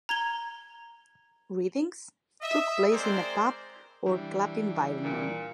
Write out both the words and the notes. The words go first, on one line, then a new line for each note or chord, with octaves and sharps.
Readings took place in a pub or club environment.
A#5 G#6 G7
D#5 E5
G#3 C4 A#4 C5 D5
E3 G3 D4
A#2